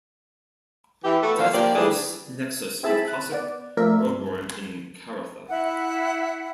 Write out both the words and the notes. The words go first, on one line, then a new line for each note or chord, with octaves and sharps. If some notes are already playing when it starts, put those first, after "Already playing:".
It has a close nexus with Cossack, Roebourne and Karratha.
E3 G4 E5
A3 B3 F#4 A4
E2 A#2 D3 D4 C5 F5
F3 A#3 G4 D5
E3 G3 A3 D4 G#4
C4 E4 G#4 E5 A5 B5
F#6
B3 D5
F3 A3 A#4 D5 E5
G2
E4 F#5